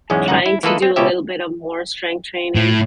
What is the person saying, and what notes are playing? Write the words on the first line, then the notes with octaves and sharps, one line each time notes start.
trying to do a little bit of more strength training
B1 E2 G#2 G#3 C#4
G1 C#2 F#2 D#4 F#5
E4
E3 A#3 F4 A4 B4 D#5
C4
C#2 B2 C#4 G4 E5
A2